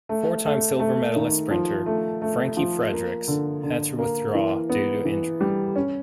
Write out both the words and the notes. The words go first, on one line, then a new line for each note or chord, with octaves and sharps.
Four-time silver medalist sprinter Frankie Fredericks had to withdraw due to injury.
A3
A3
A3
D#3
F3
A3
A3
F3
A#3
D3
D3
A#3
E3
B3
E3
G3
C#4